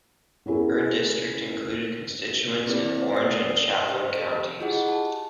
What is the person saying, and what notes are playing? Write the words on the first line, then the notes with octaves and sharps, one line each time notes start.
Her district included constituents in Orange and Chatham counties.
B3 C#4 E4 G#4 A#4
C4 E4 G4 A4 B4 D5
D5 D#6 C7
G4 C5 D#5
A4
E4 F4 G4 G#4 D#5 F#5
A5